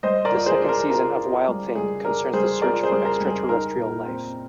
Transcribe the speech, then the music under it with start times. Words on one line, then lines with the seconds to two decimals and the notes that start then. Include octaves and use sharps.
The second season of Wild Thing concerns the search for extraterrestrial life.
0.03 G3 C5 D#5
0.25 A#4 D5
0.32 F4
0.46 G#4 C5
0.61 D4
0.69 A#4
0.89 F4 A#4
1.18 F4
1.48 G3
1.75 G3 G#4
2.04 D4 A#4
2.33 G3 G#4 C5
2.62 F4 A#4 D5
2.83 G#4 C5
2.91 G3
3.05 A#4
3.20 G3
3.27 G#4
3.49 D#4 A#4
3.77 A#2
4.05 C4